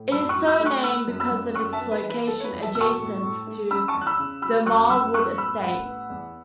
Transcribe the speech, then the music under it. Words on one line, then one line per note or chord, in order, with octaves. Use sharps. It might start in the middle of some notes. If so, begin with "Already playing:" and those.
It is so named because of its location adjacent to the Marlwood Estate.
Already playing: A2
F#2 B5 E6
C#6 F#6
F#3
B5 E6
A3
C#6 F#6
B3 B5 E6
F#2
B5 E6
F#2
F#1 C#6 F#6
E5 A5
B3
B4 E5
E3
B4
B3 A4
C#5
B4
E2
E5 A5
B2 E6
A5 C#6
A2
A2
A3
C#4 B5 E6
A5 C#6
E2
F#6
B5 E6
C#3
F#3 B5 E6
F#2 C#6 F#6
F#2 B5 E6
B3 C#6 F#6
A1 B5 E6
A1 F#5 B5
B3
E2